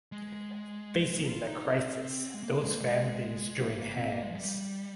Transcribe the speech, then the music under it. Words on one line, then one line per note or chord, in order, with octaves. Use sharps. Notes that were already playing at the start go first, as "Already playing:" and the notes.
Facing the crisis those families join hands.
G#3
F4
D#4
C4
G#3
A#3
G#3
A#3
G#3
A#3
C4
A#3
G#3
F3
G3